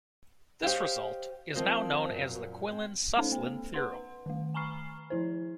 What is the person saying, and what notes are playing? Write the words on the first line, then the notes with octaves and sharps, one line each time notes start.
This result is now known as the Quillen-Suslin theorem.
G4 C5 C#5 D#5 F5 G5
F3 A#3 C4 F4 D#5
F#2 A#2
C4
A3 C#4 D#4 A4 C5
B3
B4 F#5 C6
D#3 A3
G#5 A#5 B5 C#6 F6 C7
F3 E4 C5